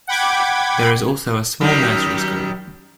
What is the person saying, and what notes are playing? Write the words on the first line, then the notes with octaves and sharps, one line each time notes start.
There is also a small nursery school.
F#5 G5 B5 D6 G#6
F#2 D#3 G3